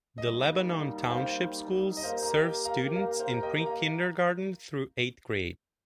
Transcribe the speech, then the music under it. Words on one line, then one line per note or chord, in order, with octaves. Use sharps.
The Lebanon Township Schools serves students in pre-kindergarten through eighth grade.
G3 A#3 D#4 D#5
G5
C5 F5
D#5
A#3 G4 A#4 C5 F5
A#5
D#5 G5
F5 A#5
F5 A#5
C5 F5
A#5
D#5 G5
F5 A#5